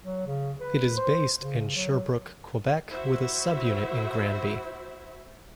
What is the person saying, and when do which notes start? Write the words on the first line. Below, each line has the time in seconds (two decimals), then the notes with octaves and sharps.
It is based in Sherbrooke, Quebec, with a sub-unit in Granby.
0.04 F#3
0.27 C#3
0.61 B4
0.97 C5
1.41 C#3
1.76 F#3
2.89 E4 F#4 C5 E5